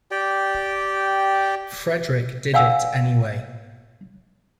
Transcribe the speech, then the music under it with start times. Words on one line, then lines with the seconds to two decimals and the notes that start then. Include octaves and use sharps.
Frederick did it anyway.
0.11 G4 D5 G5
2.54 D5 F5 F#5 G#5 E6